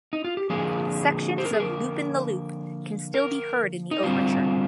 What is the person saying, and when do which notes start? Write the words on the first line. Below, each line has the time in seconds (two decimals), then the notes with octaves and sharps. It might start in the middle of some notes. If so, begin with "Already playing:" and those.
Sections of "Loopin' the Loop" can still be heard in the Overture.
0.13 D#4
0.24 F4
0.37 G4
0.50 D3 F3 A#3 G#4
1.38 C5
1.45 A#4
1.53 G#4
1.60 A#4
3.14 A#4
3.91 D#4
4.03 D3 G3 C4 F4